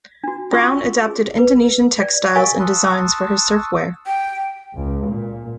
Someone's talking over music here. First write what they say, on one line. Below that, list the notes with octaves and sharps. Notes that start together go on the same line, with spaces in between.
Brown adapted Indonesian textiles and designs for his surfwear.
D4 F#4
C#4 F4 E5 C6 C#6 E6
G#4
B4
D5
G4 A#4 D#5 F5 G#5 C#6
A5 C6 C#6 D#6 E6 F#6
G5
C#2
A#2